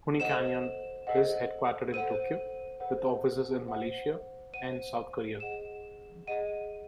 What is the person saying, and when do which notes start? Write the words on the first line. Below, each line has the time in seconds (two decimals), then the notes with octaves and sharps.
Pony Canyon is headquartered in Tokyo with offices in Malaysia and South Korea.
0.20 A4 C5 D#5 F#5 E7
1.07 A4 C5 D#5 F#5
1.93 A4 C5 F#5 D#7
2.80 A4 C5 F#5
3.67 C5 F#5
4.54 C5 F#5 D#7
5.40 G#4 D#5 F#5 E7
6.27 G#4 D#5 F#5 D#7